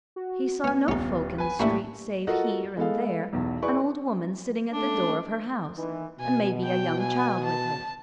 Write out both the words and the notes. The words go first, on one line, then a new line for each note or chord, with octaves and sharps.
He saw no folk in the street save here and there an old woman sitting at the door of her house, and maybe a young child with her.
F#4
B3 C#4 G#5
D#1 C#4 D#4
B4 G#5
A2 A#3 D4 E4 G4 A5 C#6
F4 F#4 A4 A#4 D#5 F#5
G#3 B3 A4 F5
B1 E2
E4 G#4 B4 D5 C#6
A3 C#4 D4
D#3 E3
B2 G#5
G5
G#5
A5